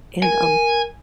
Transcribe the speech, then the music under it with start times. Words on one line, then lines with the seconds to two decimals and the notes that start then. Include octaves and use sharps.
And, um,
0.23 A#4 G#5